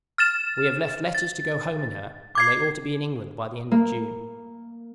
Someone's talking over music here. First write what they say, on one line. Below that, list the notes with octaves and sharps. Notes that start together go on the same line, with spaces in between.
We have left letters to go home in her, and they ought to be in England by the end of June.
F6 A6 E7
A6
D6 G#6 C7
A#3